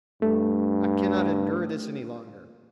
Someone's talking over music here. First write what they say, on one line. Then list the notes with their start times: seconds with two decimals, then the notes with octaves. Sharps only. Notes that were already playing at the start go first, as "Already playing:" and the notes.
I cannot endure this any longer.
0.22 G2 A3